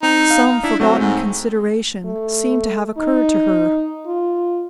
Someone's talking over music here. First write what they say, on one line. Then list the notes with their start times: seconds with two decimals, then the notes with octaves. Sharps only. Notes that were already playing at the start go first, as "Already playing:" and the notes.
Some forgotten consideration seemed to have occurred to her.
0.03 C4 D#4
0.30 F5
0.63 D4 E4
0.80 F#3 A3 C4
0.99 G#2
2.05 A3
2.98 D#4
4.07 F4